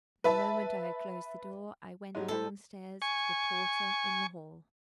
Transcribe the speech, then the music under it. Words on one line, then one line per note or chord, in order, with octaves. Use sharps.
The moment I had closed the door, I went downstairs to the porter in the hall.
B4 E5 A5
G#2 F#3 G3
A2 A4 C5
G#5 C#6